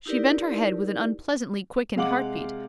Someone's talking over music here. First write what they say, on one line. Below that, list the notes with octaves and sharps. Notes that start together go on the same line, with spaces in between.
She bent her head with an unpleasantly-quickened heart-beat.
D#4 E4 G4 A#4 B4 D5
C3 G#3 F5 F#5 D6 F#7